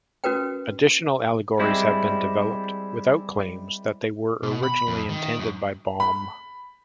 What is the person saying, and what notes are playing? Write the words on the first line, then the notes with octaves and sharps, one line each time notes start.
Additional allegories have been developed, without claims that they were originally intended by Baum.
C#4 F#4 A#4 B4 G5
G3 G#3 C4 E4
B2
B5
F2
D#3
F#2
B5